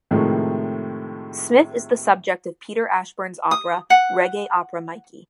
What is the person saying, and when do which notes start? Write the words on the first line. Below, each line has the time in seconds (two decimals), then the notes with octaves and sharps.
Smith is the subject of Peter Ashbourne's opera "Reggae Opera Mikey".
0.11 A2 C3 D#3 F3 G#3 A3
3.51 D#6
3.90 F#5